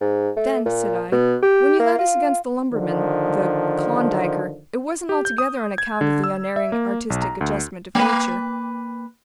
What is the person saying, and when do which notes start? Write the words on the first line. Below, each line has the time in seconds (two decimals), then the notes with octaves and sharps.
"Then," said I, "when you led us against the lumberman--the--Klondiker --it wasn't altogether on account of the Unerring Artistic Adjustment of Nature?"
0.01 G#2
0.37 A3
0.66 A#2
1.12 B2
1.43 G4
1.79 A#3
1.99 F4
2.73 D3 D#3 F3
5.09 G4
5.25 G6
5.38 D#6
5.78 G#6
6.01 D3
6.24 E6
6.56 E5
6.72 A#3
7.10 B1
7.22 A#5
7.41 D2
7.95 A#3 B4